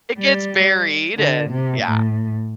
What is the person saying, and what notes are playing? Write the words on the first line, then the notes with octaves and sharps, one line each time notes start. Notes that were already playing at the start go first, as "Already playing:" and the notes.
It gets buried and yeah.
G3
D3
C3
A2